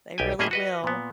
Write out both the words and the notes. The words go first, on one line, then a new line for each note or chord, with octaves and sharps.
They really will.
B1 G4 G5 G#5
A2 A#3 C#4 G#4 D#5 E5
F#4 B4 D#5
A#2 B3